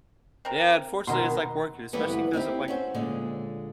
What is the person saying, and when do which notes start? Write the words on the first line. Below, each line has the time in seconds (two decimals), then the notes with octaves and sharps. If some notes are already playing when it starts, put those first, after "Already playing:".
Yeah, unfortunately, it's, like, working, especially 'cause of, like,
0.45 C4 A#4
1.07 B2 D#3 A#4 D#5 C6
1.93 D2 G2 D3 E3 G3 B3
2.33 C4 D#4 E4 G4
2.68 C#4 F#4 C5
2.94 A#2 D3 G#3